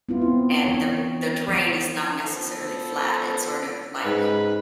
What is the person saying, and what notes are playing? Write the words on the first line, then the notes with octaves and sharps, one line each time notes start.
And the the terrain is not necessarily flat, it's sort of like
B3 E4 F4
C4
E3 C#5
F3
F3 B3 A4
G#2 C#3 B4